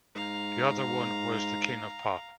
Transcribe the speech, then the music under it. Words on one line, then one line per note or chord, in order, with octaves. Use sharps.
The other one was the King of Pop.
G#2 F5 A#5